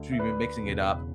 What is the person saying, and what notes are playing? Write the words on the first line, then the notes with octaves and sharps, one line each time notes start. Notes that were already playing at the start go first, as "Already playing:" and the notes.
so we've been mixing it up,
Already playing: D2 D3 A3
E5
B4 D5
E1 E2 C#3